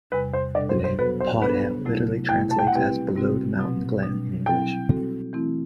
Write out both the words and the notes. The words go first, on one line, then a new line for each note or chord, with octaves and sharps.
The name Podhale literally translates as "below the mountain glen" in English.
E2 C3 G3 B4
C5
B2 G3 D4 A4 D5
C5
C5
F#3 B3 F#4 A4 B4 C5
C5
G3 B3 D4 A4 B4 C5
C3 F#3 A3 E4
B2 A3 E4 G5
A5
G5
F#5
G3 C4 E4 G4 B4 G5
C3 G3 C4 F#4
B2 F#3 C4
B2 G3 D4
F#3 C4 E4 G5
G3 C4 F#4 A4
E3 A3 C4 E4